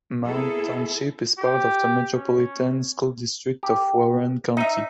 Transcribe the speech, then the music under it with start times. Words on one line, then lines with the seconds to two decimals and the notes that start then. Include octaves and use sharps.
Mound Township is part of the Metropolitan School District of Warren County.
0.23 A#3 B3 E4 G#4 A4
1.38 G4
2.15 C#4
3.63 G4
4.57 D#4 D#5 E5